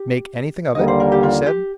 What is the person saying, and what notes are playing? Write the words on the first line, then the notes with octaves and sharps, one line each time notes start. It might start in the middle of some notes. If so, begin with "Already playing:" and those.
"Make anything of it?" he said.
Already playing: G4
D#2 D3 G3 A#3 D#5
C5
A#4
G4
F4
G4